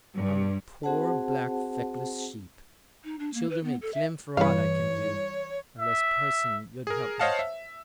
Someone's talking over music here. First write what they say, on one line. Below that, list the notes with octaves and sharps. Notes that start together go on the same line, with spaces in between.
I'm a poor black feckless sheep--childer may clem for aught I can do, unless, parson, yo'd help me?'
G2
C4 F#4 G#4 C5 F#5 A5
D#4
D4
A#3
B4
B3
A4
E5
G2 E3 G3 B4 C#5 F5
E5
G#4 A#4
C5 C#5 D#5 F5 F#5 A5
E5